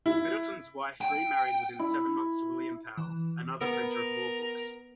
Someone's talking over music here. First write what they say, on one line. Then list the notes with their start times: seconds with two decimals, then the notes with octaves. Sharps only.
Middleton's wife remarried within seven months to William Powell, another printer of Law books.
0.06 E4
1.01 G5
1.79 E4
2.97 E3
3.61 B3 A#4